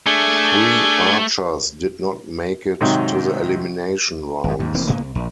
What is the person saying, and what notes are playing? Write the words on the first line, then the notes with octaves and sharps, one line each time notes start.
Three archers did not make it to the elimination rounds.
A3 D4 G#4 G#5
G#2 C3 D#3 F#3 D#4 G5
G#1 F2
D#2 G#2
F1 E3 A#3 C4
G#2 C#3 A#3 B3
C2
A#1